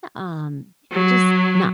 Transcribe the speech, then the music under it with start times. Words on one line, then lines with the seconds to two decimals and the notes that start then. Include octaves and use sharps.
eh, um, just not
0.93 F#3